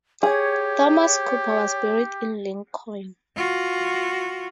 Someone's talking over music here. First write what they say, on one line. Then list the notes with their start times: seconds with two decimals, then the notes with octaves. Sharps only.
Thomas Cooper was buried in Lincoln.
0.23 G4 G#4 C#5
3.36 F4 F#4